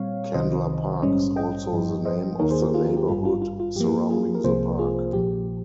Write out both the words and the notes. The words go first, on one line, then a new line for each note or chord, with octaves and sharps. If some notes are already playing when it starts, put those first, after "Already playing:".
Candler Park is also the name of the neighborhood surrounding the park.
Already playing: A#2 G3 C4 C#5 F5
C2 C3 D#3 C5 D#5
A#1 G#2 G3 C#4 C5 D#5
D#5 G5
G1 G2 F3
C5 D#5
D#2 D#3 A#3 D#4 A#4 C#5
G#4 C5
G4 A#4
F4 G#4
F4 G#4
G4
G#1 G2 G3 F4
F4
F4
F4
G2 F3 A#3 G4
F4 G#4
A#4
C2 C3 F3 A#3 G#4 C5
F4 G#4
A#1 A#2 F3 G4